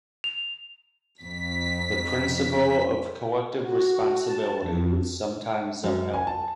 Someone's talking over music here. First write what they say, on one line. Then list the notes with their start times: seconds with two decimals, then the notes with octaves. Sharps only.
The principle of collective responsibility was sometimes upheld.
0.24 F7
1.23 F2 B6
3.61 F#4
4.22 A5
4.61 F2
5.84 F#2
6.13 G#5
6.27 A5